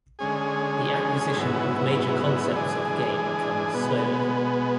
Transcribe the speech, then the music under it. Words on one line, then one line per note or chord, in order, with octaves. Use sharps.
The acquisition of major concepts of the game comes slowly.
D3 G#3 C#4 G#4
G#2 F#3 B3 E4
E3 G#3 D4 G#4
B2 G#3 B3